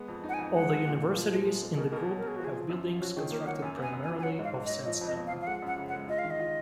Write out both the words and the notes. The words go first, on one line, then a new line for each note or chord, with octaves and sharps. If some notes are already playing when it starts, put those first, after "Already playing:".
All the universities in the group have buildings constructed primarily of sandstone.
Already playing: G#3 B3
F2
D#4
F#5
G#5
F2
G#3 F#5
G#3
A#2
A#2
F3
G#3
G#3
G#3
B2 A#4
B2 A#4
G#4
F#3
A#4
F#3 G#4
F3 F#4
G#4
F3
F#2
F3
C#4 F#4
D#3 G#4
A#3 A#4
F#3 F#5
F#2 G#5
B3 G#5
F#2
G#5
F3
G#5
F#3 F#5
G#2 F5
G#2
D#5
F#3
F3 D#5
F2
D#5
F3
F5
F3
F5
G#3 F#5
F#2 F#5
C#3
F#5
G#3
F4 D#5
F5
D#3
D#5
F4